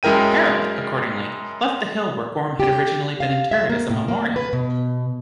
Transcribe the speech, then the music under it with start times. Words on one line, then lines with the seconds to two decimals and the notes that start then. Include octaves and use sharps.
Harald, accordingly, left the hill where Gorm had originally been interred as a memorial.
0.03 F#2 G#3 E4 A#4 G5 D#7
2.60 G4
3.20 F5
3.51 E5
3.70 A#3
3.90 A2
4.08 A#3
4.36 B4
4.53 B2